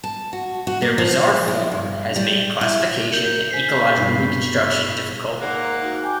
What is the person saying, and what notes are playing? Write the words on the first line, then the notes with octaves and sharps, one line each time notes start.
Their bizarre form has made classification and ecological reconstruction difficult.
A5
F#4
F#4
A#3
F3
E4
G2
G3
E4
F#4 A#4 G6 C#7
C5 G#5 B6 C7
B5 C#6
G2 B2 C7
G#2 A#3 F#5
D#4 F#4
G5 G#5 D6